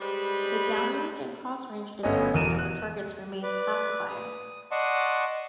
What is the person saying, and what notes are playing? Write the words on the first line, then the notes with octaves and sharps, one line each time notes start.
The downrange and crossrange dispersion of the targets remains classified.
G3 G#3 B4 C5
G1 A3 B3 C#4 D#5
E1 E2 A#4 D#7 E7
F#6
B4 D5
D#6
D5 D#5 F#5 A5 C6 C#6